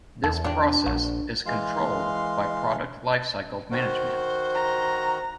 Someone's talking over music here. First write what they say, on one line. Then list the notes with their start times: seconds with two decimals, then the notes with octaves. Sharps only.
This process is controlled by product life cycle management.
0.24 E2 A4
0.44 D4 F4 G4
0.86 A#1 F#4
1.46 E3 G#3 F5 C6
3.71 D#3 F#4 C5
4.55 A#5